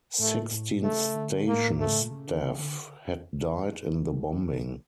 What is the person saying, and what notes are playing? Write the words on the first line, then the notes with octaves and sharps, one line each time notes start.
Sixteen station staff had died in the bombing.
A2 A3
A2
C#3 A3
D3
A2 A#3
G2 A3
A2
A#2
C#3
D3
C#3
D3